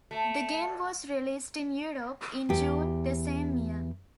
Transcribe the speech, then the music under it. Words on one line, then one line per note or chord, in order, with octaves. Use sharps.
The game was released in Europe in June the same year.
A3
E2 G4